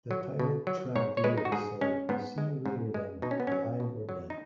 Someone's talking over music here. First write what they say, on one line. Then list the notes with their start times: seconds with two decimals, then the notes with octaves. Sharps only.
The title track lyrics say "See you later then... alive or dead".
0.11 F#3
0.39 B2
0.67 F#3
0.95 G#2 C#5
1.17 C#5
1.24 G#3 B4
1.38 D#4
1.45 F#4
1.52 G#2 G#4
1.81 G#3 C#4
2.09 G#2 B3
2.38 G#3
2.66 G#2
2.94 G#3
3.22 B2 D#4
3.31 C#4
3.40 B3
3.47 F#3 C#4
3.80 B2
4.09 F#3
4.30 D#4